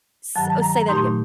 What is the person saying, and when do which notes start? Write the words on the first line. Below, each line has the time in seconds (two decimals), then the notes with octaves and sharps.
S Oh, say that again.
0.36 G2 D#3 F#3 A5
0.49 A5
0.61 A#5
0.74 A#5
0.88 A#2 A3 D#4 G4 C6